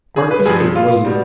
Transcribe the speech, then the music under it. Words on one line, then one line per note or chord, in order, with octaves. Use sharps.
Artistic, wasn't it?
G#4
B4
G2 F3 G#4
F4
B2 G3